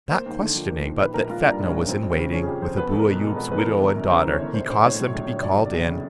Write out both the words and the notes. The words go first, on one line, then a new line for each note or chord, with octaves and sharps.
Not questioning but that Fetnah was in waiting, with Abou Ayoub's widow and daughter, he caused them to be called in.
A#3 C5
D#2
D3
F3
A#3
D#2
A#1 B4
A#1 A#4
A#2 F4
G3 D4
A#1
C#4
A#1
F2 C4
F2
C4
C#3
F3 C#4
G#4
F2 G4
F2 C5
B3 B4
E2 A4
A#4
B2
G#3
B3
E2 B4
A#4
E3 A4
G1
A#4
F#2
C#3 C5
E3
C#5
G1
A#1 C5
A#1 C5
A2 C#5
F#3
A#1
A#1
F#3 D5
F1
D5
E2
C#3